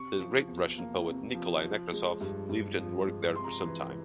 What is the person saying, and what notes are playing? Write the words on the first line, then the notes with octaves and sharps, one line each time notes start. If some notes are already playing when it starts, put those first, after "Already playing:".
The great Russian poet Nikolay Nekrasov lived and worked there for some time.
Already playing: C3 C#6
F3
E2
A#3
C3
F3
F3
G#3
G2
G2
F3
G#3
C3 C6
A#5
C6
E3